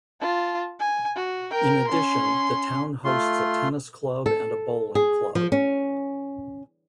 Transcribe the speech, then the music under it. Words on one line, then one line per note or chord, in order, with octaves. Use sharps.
In addition the town hosts a tennis club and a bowling club.
F4 A5
G#5
F#4
A#4 G5
C#4 C6
A3 F4 C6
A4
G#4
F3
C#4